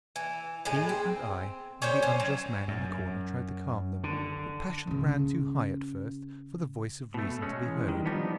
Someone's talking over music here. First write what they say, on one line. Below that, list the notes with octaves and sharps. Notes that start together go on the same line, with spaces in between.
B. and I and the unjust man in the corner tried to calm them, but passion ran too high at first for the voice of Reason to be heard.
E3
A2 G#3 G#4
C4
C#4 D4 C5 C#5
C#4 C5
F#3
F#2
D3
C#3 C#4
B2 A3
G#3 C#4
E3
D#3 G3
F3 B3 D4 D#4